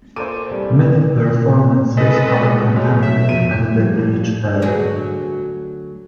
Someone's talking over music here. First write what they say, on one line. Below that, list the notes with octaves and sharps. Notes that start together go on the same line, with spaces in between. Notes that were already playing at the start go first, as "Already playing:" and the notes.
Many performances are conducted at the village fair.
A#2 A4 C5 D6 D#7
C2 G3
G#3 A4 B4 D#5
A2
F#3 G#3
E5
F2 D#7
F3 G3
D2 F#3 G#4